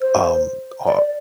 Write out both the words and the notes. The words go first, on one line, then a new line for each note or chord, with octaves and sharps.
um, uh,
C5
D5